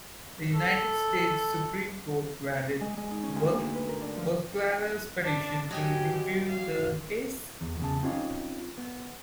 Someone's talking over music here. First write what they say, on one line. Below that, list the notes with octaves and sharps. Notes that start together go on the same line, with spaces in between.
The United States Supreme Court granted Buchalter's petition to review the case.
A4
G#3
G#3
D#4
C#4
D2
A#3
B4
A#4
D4
F3
D4
F#3 G4 D#5 G#5
F5
E2
E2 C#3 A5
C4 C#4 D#4 F4 C#5
B3